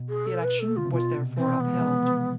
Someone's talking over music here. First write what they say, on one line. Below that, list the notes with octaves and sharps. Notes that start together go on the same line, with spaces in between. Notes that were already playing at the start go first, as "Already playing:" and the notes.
The election was therefore upheld.
Already playing: B2
G#4
A4
B4
A4
D3 F4
C3
B2 F4
C3
E3 C4
B3
G#3
F3
G#3